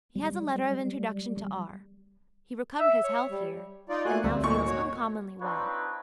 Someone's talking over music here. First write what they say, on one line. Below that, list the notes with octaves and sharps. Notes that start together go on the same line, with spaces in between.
He has a letter of introduction to R. He recovered his health here and now feels uncommonly well.
G3
E5
C#5
G3
D#4 F4 D5
A3 A#3 F#4 G#5 F#6
D2 A2 G3 C4
G#1 A#2 C#6
F#4 C#5
C4 D4 D#4 F4 B4 C#5